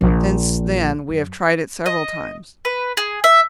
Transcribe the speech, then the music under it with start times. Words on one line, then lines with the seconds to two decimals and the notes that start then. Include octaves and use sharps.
Since then we have tried it several times.
0.01 A#1
1.09 F#2
1.86 D#5
2.65 B4
2.97 G#4
3.24 E5